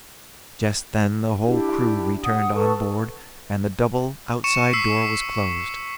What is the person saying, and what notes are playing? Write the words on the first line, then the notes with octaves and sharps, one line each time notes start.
Just then the whole crew returned on board, and the double outside door was closed.
D4 E4 G4
F#5 D#6
A4 B4 A5 C#6
C#6 C#7 E7
E6 B6 C7